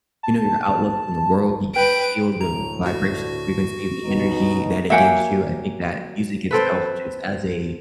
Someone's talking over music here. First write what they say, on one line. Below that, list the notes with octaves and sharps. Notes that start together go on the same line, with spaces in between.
you know, your outlook on the world. You can feel the vibration, frequency, the energy that it gives you. I think that music itself just as a
A5
B4 G5 D7
D2 A2 A#5
F#4
C#2 B2 D#4
F#3 A#3 G4 E5 F#5 G#5
C4 A4 B4